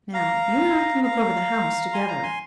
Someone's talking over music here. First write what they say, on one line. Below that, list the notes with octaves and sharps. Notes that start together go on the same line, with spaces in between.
"Now, you and I can look over the house together."
F5 A#5
F5 A#5
G#5 C6
F5 A#5
G#5 C6